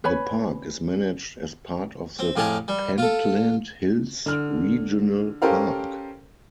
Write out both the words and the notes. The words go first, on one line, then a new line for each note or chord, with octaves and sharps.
The park is managed as part of the Pentland Hills Regional Park.
B4 C#5 G#5 B5
C4
F2 A2 G4 G#4 F5 A5
G3
F4 A4
D3 F6
C#4 G4 A4 A#4 C5 F5